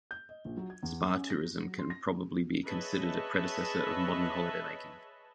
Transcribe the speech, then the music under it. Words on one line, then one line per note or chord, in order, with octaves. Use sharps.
Spa tourism can probably be considered a predecessor of modern holidaymaking.
G6
D#5
A#1
F#3
G#6
E2
F#3
C#4
A#6
F#3
C6
A#6
G#4 B4 C#5 D#5 E5 A5